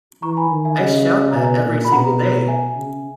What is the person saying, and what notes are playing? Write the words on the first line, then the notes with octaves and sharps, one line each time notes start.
I shout that every single day!
E3 A#5 C#6
G#5 B5
D#3
E5 G#5
C#3 D#5 F#5
A#5
B2 E5 G#5
A#2
B5
B2 F#5 A#5
E5 G#5
C#3